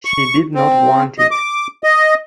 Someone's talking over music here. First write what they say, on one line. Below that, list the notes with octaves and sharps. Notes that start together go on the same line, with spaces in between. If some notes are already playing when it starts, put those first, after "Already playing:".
She did not want it.
C#6
C4
D#5
D6
D#5